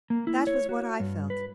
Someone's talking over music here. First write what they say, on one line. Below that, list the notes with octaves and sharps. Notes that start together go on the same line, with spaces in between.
That was what I felt.
A#3
E4
C#5
F#4
G2
B4